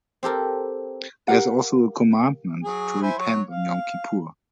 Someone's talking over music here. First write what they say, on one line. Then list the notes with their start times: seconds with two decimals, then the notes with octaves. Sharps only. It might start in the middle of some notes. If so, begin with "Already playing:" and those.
There is also a commandment to repent on Yom Kippur.
0.23 C4 G4 A4 A#4
1.28 G4 A#4 F5 F#5
2.64 F#3 G#4
3.02 E4 C5 G#5
3.18 F#3 C#5
3.49 F5